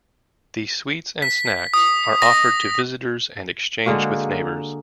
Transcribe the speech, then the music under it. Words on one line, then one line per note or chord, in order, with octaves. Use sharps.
These sweets and snacks are offered to visitors and exchanged with neighbors.
B6
D#6
A#6
D3 G#3 A#3 F#4